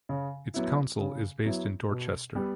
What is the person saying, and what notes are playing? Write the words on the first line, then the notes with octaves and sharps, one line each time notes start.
Its council is based in Dorchester.
C#3
F#3 B3 E4
C#3
F#3 B3 E4
B2
G3 B3